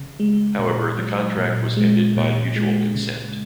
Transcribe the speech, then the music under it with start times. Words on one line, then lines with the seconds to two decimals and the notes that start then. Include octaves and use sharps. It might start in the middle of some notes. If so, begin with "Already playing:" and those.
However, the contract was ended by "mutual consent".
Already playing: C#3
0.20 G#3
0.59 A#2
0.98 F#3
1.37 A#2
1.77 G#3
2.17 A#2
2.56 G#3
2.95 C#3